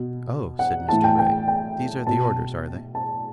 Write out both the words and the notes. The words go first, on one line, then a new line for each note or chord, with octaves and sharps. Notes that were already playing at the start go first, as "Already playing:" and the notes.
'Oh!' said Mr Bray. 'These are the orders, are they?'
Already playing: B2
F#5
A2 E3 A5
G5
G5
G5
B2 A5
A5